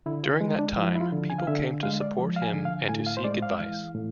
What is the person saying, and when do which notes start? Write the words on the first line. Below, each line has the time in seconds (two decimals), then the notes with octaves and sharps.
During that time people came to support him and to seek advice.
0.06 D3 E4
0.24 F4
0.41 G#3
0.59 D4
0.77 F3 E4
0.95 E4
1.01 F4
1.12 D3
1.30 G#5
1.39 F5
1.47 D3 E5
1.83 G#3 F5
2.01 D5
2.18 F3
2.36 F5
2.42 G#5
2.53 D3
2.65 F5
2.89 A2 G#5
3.06 F5
3.17 C5
3.24 G#3 D5
3.42 F5
3.60 E3
3.95 A2